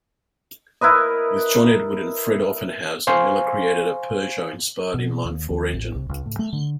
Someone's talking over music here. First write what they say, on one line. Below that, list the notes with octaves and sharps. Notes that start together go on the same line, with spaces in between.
With John Edward and Fred Offenhauser, Miller created a Peugeot-inspired inline-four engine.
E4 A#4 B4 D#5
C5 F5 G#5 C6 C#6
B2
D#2
D#2
A1
C2
C#2
A2
A3
D3